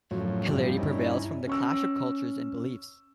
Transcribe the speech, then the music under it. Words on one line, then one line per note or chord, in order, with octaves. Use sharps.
'Hilarity' prevails from the clash of cultures and beliefs.
F#2 A2 F3 F#3
G2 A#2 F3 G3
G2 C#4 D#4 E4
C#4 C#6 E6